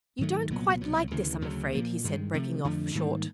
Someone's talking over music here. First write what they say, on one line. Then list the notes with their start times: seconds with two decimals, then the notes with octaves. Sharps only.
'You don't quite like this, I'm afraid,' he said, breaking off short.
0.19 G#2 D#3 F#3 A3
0.50 C2 A#2 F#3 B3
0.81 C2 B2 F#3
1.11 D2 C#3 E3
1.42 D2 C#3 F#3
1.72 A#2 F3 A#3
2.04 G2 D#3 G#3
2.34 C3 F3 A3
2.64 F2 D3 F3 A3
2.95 G#2 D#3 G3 A#3